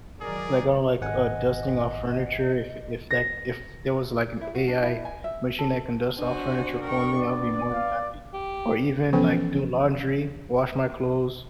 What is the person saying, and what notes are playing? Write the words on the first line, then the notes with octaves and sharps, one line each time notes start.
Like, I don't like, uh, dusting off furniture, if if that if there was, like, an AI machine that can dust off furniture for me, I'd be more than happy. Or even, like, do laundry, wash my clothes,
D#3 F#3 G#3 G#4 A#4 D5
G#1 D#5 F#5 G#5
A#6
E4
F#4
D4
E4
G#5
E5
A4
D4 F#4 C5 G#5
A#4 G5 C#6
B3 D5
F5
G4
E3 F3 B3 C#4 A4